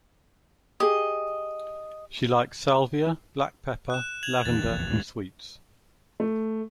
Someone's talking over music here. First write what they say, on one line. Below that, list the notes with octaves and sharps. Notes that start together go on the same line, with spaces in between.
She likes Salvia, black pepper, lavender and sweets.
G4 G#4 D#5
F#6 E7
G#6 F7 F#7
E2 D#3 A6
F1 A#1 E2
D#2 G#2 G#3
A3